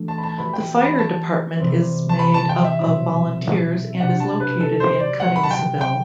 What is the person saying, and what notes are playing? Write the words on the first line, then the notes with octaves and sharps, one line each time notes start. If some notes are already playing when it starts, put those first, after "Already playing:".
The fire department is made up of volunteers and is located in Cuttingsville.
Already playing: E3 A3 D4 F#4
A5
B5
A5
E3 G3 B3 F#4 B5
G5
B5
A5
C3 E3 G3 C4
A5
B5
A5
G5
E5
B2 F#3 C4 E4
C3 G3 D4 F#4 F#5
A5
B4
A4
C5
D5
C3 F#3 C4 F#5
B5
A5
G5
G5